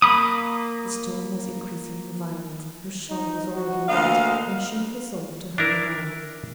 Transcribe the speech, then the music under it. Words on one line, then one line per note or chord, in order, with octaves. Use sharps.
The storm was increasing in violence; her shawl was already wet, and she resolved to hurry home.
A#3 B5 D#6
D#4
F#4
D2 A#3 D#5 F5
D4 E4 A#4